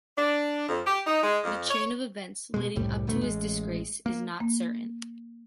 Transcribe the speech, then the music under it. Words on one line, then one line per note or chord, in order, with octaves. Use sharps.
The chain of events leading up to his disgrace is not certain.
D4
F2
G4
D#4
G#3
F2
C#5
B2 G#3
F#1 C2 A2 G3
F1 D2 B2 A3
A1 G#3
A#3
A#3